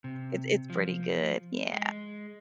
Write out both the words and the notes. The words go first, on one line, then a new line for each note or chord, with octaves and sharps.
it's it's pretty good. Yeah,
C3
F3
G#3